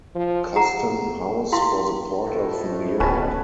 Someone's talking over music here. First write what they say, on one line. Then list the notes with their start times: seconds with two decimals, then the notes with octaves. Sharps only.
Custom House for the Port of New York.
0.15 F3
0.55 G4 G#4 F#5 A#5
1.52 E4 F#4 G4 F5 G5 C6
2.25 F2 A2 A4
3.00 D1 B2 C#4 B4 A5